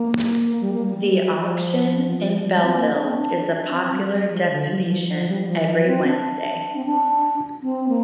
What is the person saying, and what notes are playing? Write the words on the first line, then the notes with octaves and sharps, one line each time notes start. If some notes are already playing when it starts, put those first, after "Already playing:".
The auction in Belleville is a popular destination every Wednesday.
Already playing: A#3
G3
A#3
G3
F3
F3
F3
C4
A#3
D4
C4
D4
C4
G3
G3
F3
D3
F3
F3
F3
G3
G3
F3
F3
C4
D4
C4
D4
C4
A#3